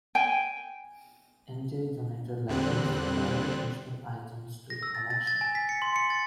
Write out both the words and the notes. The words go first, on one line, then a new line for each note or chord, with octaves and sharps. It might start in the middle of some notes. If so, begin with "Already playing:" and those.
Ende donated letters and other personal items to the collection.
G5 G#5
E2 A#2 D3 G3 C4 F#6
A#6
E6
A6
A6
A6
G#5
B6
C#7
C6
C#7
A6